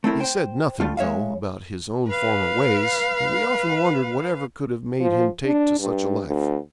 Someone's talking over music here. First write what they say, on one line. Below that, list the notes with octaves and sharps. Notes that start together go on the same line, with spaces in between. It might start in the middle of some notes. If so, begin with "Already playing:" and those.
He said nothing, though, about his own former ways, and we often wondered whatever could have made him take to such a life.
A3 C4 E4 A#4
C5 G5
G3 A3 F4
G#3 C#5 E5 F5
B4 F5
F3
D4
G2
D2